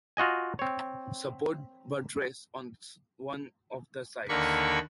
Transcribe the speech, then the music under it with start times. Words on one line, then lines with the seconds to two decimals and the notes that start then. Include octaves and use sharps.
Support buttress on one of the sides.
0.17 F4 F#4 D#5 G#5
0.59 C4 C#5
4.29 D#2 D3 A#3 D4 B5 C#6